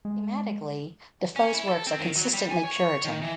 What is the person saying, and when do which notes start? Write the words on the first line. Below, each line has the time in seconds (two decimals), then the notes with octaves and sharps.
Thematically, Defoe's works are consistently Puritan.
0.05 G#3
1.36 C#4
1.54 E4
1.68 A4
1.87 C4
1.99 D#3
2.16 F#3
2.34 G3
2.51 G#5
2.65 C#5
3.05 D#3
3.21 E3